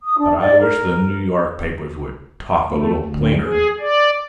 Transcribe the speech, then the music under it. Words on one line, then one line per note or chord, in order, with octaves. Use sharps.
But I wish the New York papers would talk a little plainer.
D#6
D4
D5
A#4
A3
D2
G#4
D5